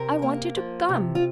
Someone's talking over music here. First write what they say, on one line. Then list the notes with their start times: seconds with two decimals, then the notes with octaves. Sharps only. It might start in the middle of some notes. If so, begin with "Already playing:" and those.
'I wanted to come.
Already playing: C3 A#4
0.22 A#3
0.56 F3
0.89 C3
1.15 F4